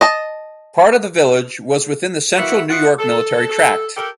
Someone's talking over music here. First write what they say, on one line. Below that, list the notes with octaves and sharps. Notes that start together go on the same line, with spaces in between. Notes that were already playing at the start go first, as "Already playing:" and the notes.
Part of the village was within the Central New York Military Tract.
D#5 A5
E3 A#3 E4 F#4 E5 F#5
F4 F#4 D#5 E5 F#5
A4
A4
G4 A4 A#4